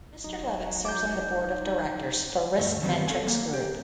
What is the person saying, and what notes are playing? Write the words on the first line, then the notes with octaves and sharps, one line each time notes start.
Mr. Levitt serves on the Board of Directors for RiskMetrics Group.
E1 F#3 D#4
D6 G6
D2 G2 A3
D3 D#3 F#3 G3 B3 C4
A4 F5 G#5
A#3
G4